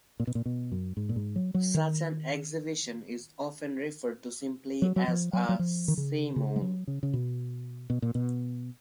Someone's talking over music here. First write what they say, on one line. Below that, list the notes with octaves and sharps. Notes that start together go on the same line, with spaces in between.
Such an exhibition is often referred to simply as a "simul".
A#2
B2
A#2
B2
F#2
G#2
A#2
G#2
F#3
F#3
D#3
F#3
F#3
F3
F#3
F#3
F3
D#3
C#3
C#3
G#3
F#3
C#3
C#3
B2
B2
A#2
B2